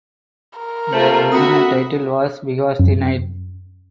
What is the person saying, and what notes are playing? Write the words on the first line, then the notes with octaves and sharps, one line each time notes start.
The original title was "Because the Night".
A#4
A3 A#3 F4 C5 A5
C4 F#4 E5 B5 D#6
F#2